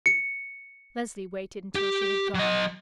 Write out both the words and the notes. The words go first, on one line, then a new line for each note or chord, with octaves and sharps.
Leslie waited until she had gone.
C#7
G4
F#3 D#5